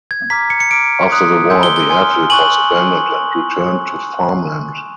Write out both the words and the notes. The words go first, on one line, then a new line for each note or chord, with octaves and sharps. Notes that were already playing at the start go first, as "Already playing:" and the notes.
After the war the Airfield was abandoned and returned to farmland.
G#6
A#5 D6 F6 B6
C#7
C#7
A#5 D6 F6 D7
C6 D#6 F#6
G#5 C6 E6 G6
G7
G7
G#5 C6 F6
G#5 C#6 F#6 F#7